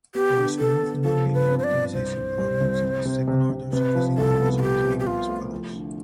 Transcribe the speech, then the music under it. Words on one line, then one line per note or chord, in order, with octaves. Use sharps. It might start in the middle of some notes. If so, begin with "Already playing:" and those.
For smooth, non-linear optimization problems, a second order sufficient condition is given as follows.
B3 G4
D3
D3 A4
B3
F3 A4
G2
B4
C4
C5
D5
G2
C2 C5
C2
G3
C2
C3
C3
C3
C3
C3 B4
F3
C2 A4
B3
F4
F3 G4
C3
G4
C3 F4
A3
F3
D3